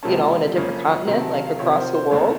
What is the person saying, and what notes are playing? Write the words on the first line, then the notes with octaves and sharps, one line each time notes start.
you know, in a different continent, like, across the world.
C#2 C3 F3 A#3 C#4 A5
F#2 C#3 F3 A#3 C#4
C3 D#3 F#3 C4 A#5
A5
F5
F5
C3 F3 C4 C#5
A#4
C5
C5
D#2 C#3 A3 C4 C#5